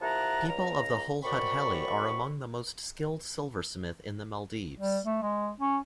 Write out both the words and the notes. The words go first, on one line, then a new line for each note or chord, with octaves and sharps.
People of Hulhudheli are among the most skilled silversmith in the maldives.
C2 F3 E4 F#5 A5 A#5
C#2 A#5
F#2 C4 D5 B5 C#6
G3
A3
G#3
C#4